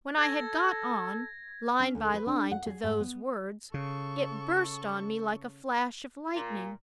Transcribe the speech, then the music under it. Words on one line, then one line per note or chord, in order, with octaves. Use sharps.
When I had got on, line by line, to those words, it burst on me like a flash of lightning.
A4 G#6 A#6
C#4
D2
B4
D4
F#5
G#4
G#2
B3
C#3 A4 C#6
A#2